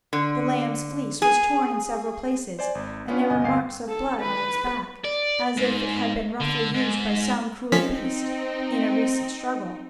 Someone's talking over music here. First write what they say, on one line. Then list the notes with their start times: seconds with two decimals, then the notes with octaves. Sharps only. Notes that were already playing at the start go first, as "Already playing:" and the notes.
The lamb's fleece was torn in several places, and there were marks of blood on its back, as if it had been roughly used by some cruel beast in a recent struggle.
0.13 D3
1.22 G#4
2.59 C5 D5 G#5
2.75 G#1
3.08 B3 C#4 D4 F4 B4 C#5
3.30 G1 B2 D#5 G#5
3.44 G1 D2 F5 G#5 C7
3.88 A4
4.20 B4
5.04 D5
5.57 G#2
6.40 D3
6.74 G#2
7.72 F3 C4 C#4 D#4 B6